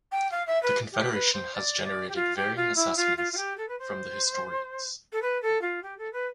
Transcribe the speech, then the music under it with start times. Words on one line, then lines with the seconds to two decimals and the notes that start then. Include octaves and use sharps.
The Confederation has generated varying assessments from the historians.
0.11 G5
0.31 F5
0.47 E5
0.62 B4
0.92 G4
1.13 B4
1.33 C5
1.54 D5
1.84 D5
2.08 G4
2.15 F4
2.36 G4
2.56 F4
2.76 E4
2.96 F4
3.17 F4
3.32 F4
3.37 G4
3.57 A4
3.68 B4
3.79 C5
5.12 A4
5.22 B4
5.42 A4
5.61 F4
5.83 G4
5.98 A4
6.13 B4